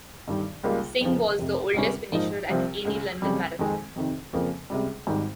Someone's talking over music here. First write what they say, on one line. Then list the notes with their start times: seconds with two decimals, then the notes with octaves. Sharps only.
Singh was the oldest finisher at any London Marathon.
0.27 G1 G2 D#3 G3
0.64 C#2 C#3 G3 A#3 F4
1.01 F2 C#3 F3
1.38 F1 F2 C3
1.74 C#2 C3 G3 C#4
2.12 A#1 G#2 F3 A#3 D#4
2.49 C2 C3 F3 C4
2.85 C#2 C#3 G#3
3.22 F1 F2 C#3 G3
3.59 F2 D#3 G#3 C4 D#4
3.96 F2 C3 D#3
4.33 F2 C#3 F3 A#3
4.70 C#2 C3 G3
5.07 G#1 G#2 D#3 G3